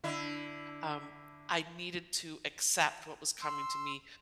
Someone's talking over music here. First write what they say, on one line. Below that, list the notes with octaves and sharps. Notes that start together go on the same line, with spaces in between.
um, I needed to accept what was coming to me,
D3 E4
C6 E6